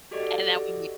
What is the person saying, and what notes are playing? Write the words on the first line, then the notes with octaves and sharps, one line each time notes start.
And that would be
F#4 G4 A4 D5 D#5 C#6